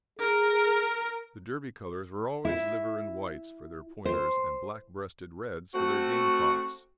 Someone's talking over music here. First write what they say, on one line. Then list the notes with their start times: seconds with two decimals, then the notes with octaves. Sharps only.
The Derby colours were always liver and whites for their Pointers and black breasted reds for their game-cocks.
0.19 G#4 A#4
2.45 E4
4.05 C5
5.75 A3 C4 F#4